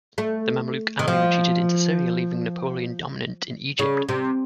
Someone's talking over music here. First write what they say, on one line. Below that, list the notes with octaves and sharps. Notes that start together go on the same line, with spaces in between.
The Mameluke army retreated into Syria, leaving Napoleon dominant in Egypt.
A3
D#3
F3
C#3
C3